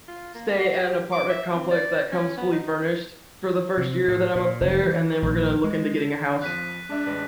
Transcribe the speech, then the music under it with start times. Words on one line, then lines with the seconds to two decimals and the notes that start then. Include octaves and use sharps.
stay at an apartment complex that comes fully furnished for the first year that I'm up there, and then we're gonna look into getting a house.
0.08 F4
0.35 A#3
0.58 F#4
0.77 G4
1.12 D6
1.29 E5
1.53 C4
1.71 D5
2.12 C#4
2.37 B3
2.52 D#4
3.77 C3
4.08 A2
4.35 A#2
4.61 F1
4.83 E3
5.22 A#1
5.64 G#3
6.02 A4
6.42 F2 F3 F#6 B6 D#7
6.89 G#3 D4 E5
7.07 A1 G#3 B4